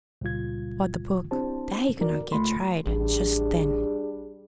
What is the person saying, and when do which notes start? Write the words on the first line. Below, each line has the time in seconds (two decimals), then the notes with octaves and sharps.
But the book--that he could not get tried just then.
0.21 C#2 A#2 G3 F4 G#6
1.31 C4 D4 E4 G4 C5 A5
2.00 D#4 F#4 A#4 D5
2.32 C#2 A3 F4 B5 C6
2.86 A1 G3 D4 G#4